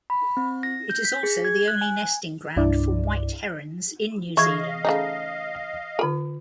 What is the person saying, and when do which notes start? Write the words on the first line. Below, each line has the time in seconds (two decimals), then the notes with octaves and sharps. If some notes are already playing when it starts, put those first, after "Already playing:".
It is also the only nesting ground for white herons in New Zealand.
0.10 B5
0.37 C4
0.63 A#6
0.90 G6
1.05 B6
1.23 G#4
1.45 G#6
1.68 F#6
1.81 G#5
2.56 C2 G2 D4 E4 D5
4.37 E3 E4 G#4 D#5 F5 C#6 G#6
4.85 C#3 A3 D#4
5.99 D3 F4 A#4 B5